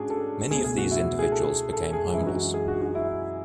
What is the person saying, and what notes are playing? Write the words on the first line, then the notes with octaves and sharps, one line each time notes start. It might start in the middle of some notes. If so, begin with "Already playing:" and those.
Many of these individuals became homeless.
Already playing: G#2 C#4 D4 F#4 G#4
A4
C#2 B2 A3 G#4
G#4
F#4
E4
G#4
A4
A4
G#4
F#2 E3 G#3 E4
F#4
G#4
F#4
F#4
E4